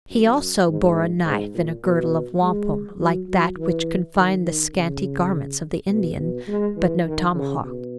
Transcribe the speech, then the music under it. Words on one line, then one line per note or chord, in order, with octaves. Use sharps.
He also bore a knife in a girdle of wampum, like that which confined the scanty garments of the Indian, but no tomahawk.
F#2
G#2
G#2
A#2
B2
G#3
F#3
F#3
E3
D#3
D#3
C#3
B2
B2
G#3
E3
D#3
C#3
B2